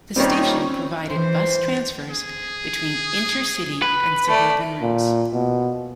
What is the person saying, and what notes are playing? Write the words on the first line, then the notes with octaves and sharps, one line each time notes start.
The station provided bus transfers between inter-city and suburban routes.
D#1 A#2 D#3 G3 C4 C#4 C#5
E3 C5
G#4
B4
A3 D5
A#2
B2